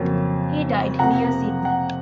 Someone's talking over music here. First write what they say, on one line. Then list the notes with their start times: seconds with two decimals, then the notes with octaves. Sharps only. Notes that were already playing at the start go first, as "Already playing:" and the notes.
He died near Sydney.
Already playing: F2 C#3 F#3 A#3
0.99 F2 C3 F3 A#3 F#5 A#5
1.65 F#5